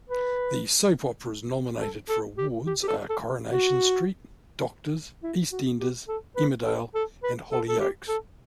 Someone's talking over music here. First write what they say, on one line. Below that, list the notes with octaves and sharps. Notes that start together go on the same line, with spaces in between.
The soap operas nominated for awards are "Coronation Street", "Doctors", "EastEnders", "Emmerdale" and "Hollyoaks".
B4
A4
A4
G4
G4
G4
A4
A4
F#4
E4
F#4
G4
A4
B4
A4
A4
B4
A4
A4
G4
A4